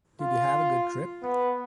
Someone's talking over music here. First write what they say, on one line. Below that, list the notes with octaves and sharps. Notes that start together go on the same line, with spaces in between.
Did you have a good trip?
F4
B3